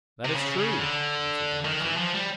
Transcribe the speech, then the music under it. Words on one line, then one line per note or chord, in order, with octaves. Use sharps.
"That is true," answered the marquis.
C3
C#3
C#3
D3
D#3
E3
F3
G3